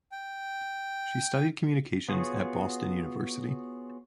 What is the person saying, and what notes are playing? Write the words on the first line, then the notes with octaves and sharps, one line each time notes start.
She studied communications at Boston University.
G5
B3 F4 F#4 G#4 C#5